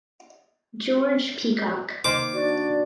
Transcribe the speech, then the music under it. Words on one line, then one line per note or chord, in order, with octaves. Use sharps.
George Peacock.
D#3 A#3 C5 D6
D4 F#4 D5